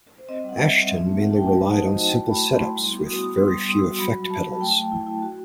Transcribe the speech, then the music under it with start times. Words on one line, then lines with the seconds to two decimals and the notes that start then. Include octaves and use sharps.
Asheton mainly relied on simple setups with very few effect pedals.
0.18 C5
0.29 C4 D#5
0.44 G3
0.49 F#5
0.60 G3 E5
0.76 G3
0.91 C4
1.06 A3
1.22 E4 F#5
1.30 A5
1.37 A3 G5
1.52 F#3 A5
1.68 D#4 F#5
1.76 C5
1.83 F#4 D#5
1.98 F#4
2.08 G5
2.14 E4 A5
2.30 A3 B5
2.45 A3 C6
2.60 E4
2.76 G3
2.91 B3
3.06 F#4 D#6
3.22 B3 D#6
3.37 G3 C6
3.46 D#6
3.53 G3 C6
3.69 G3 D#6
3.78 E6
3.84 F#4
3.99 F#3 B5
4.15 F#3
4.30 F#3 A5
4.46 F#3
4.55 A5
4.61 A3 G5
4.76 A3
4.92 E4
5.06 E4
5.22 F#4